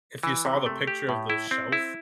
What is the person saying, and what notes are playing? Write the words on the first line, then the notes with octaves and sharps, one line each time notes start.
if you saw the picture of the shelf
E3
C3
A3
G4
A2
E4
C4
E4